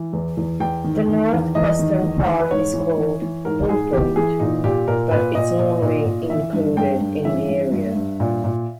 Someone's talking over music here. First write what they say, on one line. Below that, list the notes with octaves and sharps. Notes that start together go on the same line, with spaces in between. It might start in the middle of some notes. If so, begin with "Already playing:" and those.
The north-western part is called Bull Point, but is normally included in the area.
Already playing: E3
E2
E2
E2 G5
D#3
D#3
E2
E2 D#5
D#3
E2
E2
B4
G#2 C#5
E3
E3
E3
G#2 A#4
G#2 G#4
E3 G4
E3 G#4
A#2 D#4
A#2 G4
A#2 A#4
A#2 B4
A#2 D#5
A#2
A#2
A#2
E3 E5
G2
G2 G5
G2
E3 E5
G2
G2
G2
A#2
A#2